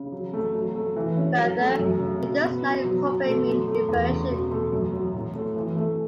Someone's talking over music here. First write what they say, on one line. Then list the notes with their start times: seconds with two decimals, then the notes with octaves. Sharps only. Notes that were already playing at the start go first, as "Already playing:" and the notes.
Further, it does not incorporate mean reversion.
Already playing: C#3
0.12 F#3
0.34 A3
0.55 F#3
0.75 A3
0.96 E3
1.17 C#4
1.38 F#3
1.59 A3
1.79 F#2
2.00 C#3
2.21 B2
2.42 B3
2.63 B2
2.84 F#3
3.05 B2
3.26 A3
3.47 F#3
3.68 A3
3.88 E2
4.09 C#3
4.31 B2
4.51 A3
4.72 F#2
4.93 F#3
5.14 A2
5.35 A3
5.56 E3
5.77 A3